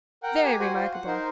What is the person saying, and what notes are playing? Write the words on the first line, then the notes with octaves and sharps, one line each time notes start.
Very remarkable!'
A#4 F#5 G5
G4 G#5
F#4 C5 F#5 G#5
F4 C5
F#5
D#4 A#4 C5